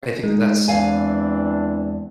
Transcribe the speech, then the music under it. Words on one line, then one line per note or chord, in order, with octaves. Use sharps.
I think that that's
G#3 D#4
E2 E3 C4 D4 F5 G#5